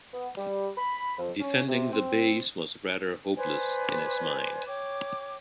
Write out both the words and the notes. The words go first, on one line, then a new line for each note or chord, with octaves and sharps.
Defending the base was rather hopeless, in his mind.
B3
G3
B5
F2
C#4
C3
C4
B4 C5 D5 G#5
C#5 G5 D6